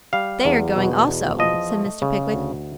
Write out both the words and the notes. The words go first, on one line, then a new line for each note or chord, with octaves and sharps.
'They are going also,' said Mr. Pickwick.
G3 F5
E2
B2
E2
F3 D#5
A3
C#3
D2